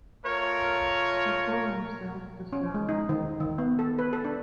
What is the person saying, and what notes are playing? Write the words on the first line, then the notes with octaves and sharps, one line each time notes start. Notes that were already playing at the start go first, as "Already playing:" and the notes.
They call themselves the Zara.
A3 F4 A#4 C#5
C#4
G#3
D#4
D#3
D#3
B3
A4
B4
A4
D4